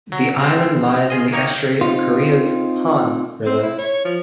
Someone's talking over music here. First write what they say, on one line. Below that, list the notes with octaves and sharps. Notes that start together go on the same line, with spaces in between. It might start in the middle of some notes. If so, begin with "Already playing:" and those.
The island lies in the estuary of Korea's Han River.
F#3
G#3 C4
F4 G#4 D#5
A#3 D#4 C#5 G5
C4 D#4 F4
C4
E4
C#5
F3